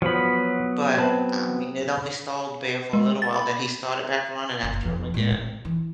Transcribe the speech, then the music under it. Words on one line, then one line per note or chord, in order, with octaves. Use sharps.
But, I mean, it only stalled the bear for a little while, then he started back running after him again.
F3 F#3 B3 B5
C4 B4 A5
G#3
A6
B5
F#1
F2 D#3
A2 G#3
C3
E3